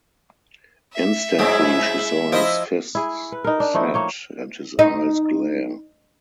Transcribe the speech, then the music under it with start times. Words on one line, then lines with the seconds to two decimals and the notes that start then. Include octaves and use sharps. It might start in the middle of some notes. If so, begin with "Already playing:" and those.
Instantly she saw his fists set and his eyes glare.
0.93 E5
1.39 G#2 F#3 G#3 D#4 E4
2.32 F3 E4 C5 D#5
2.95 E4 G#4
3.32 B4
3.44 D#4 A#4
3.60 D4
3.74 F3 A3 D#4 E4
3.94 A#3 C#5 G5
4.79 D#4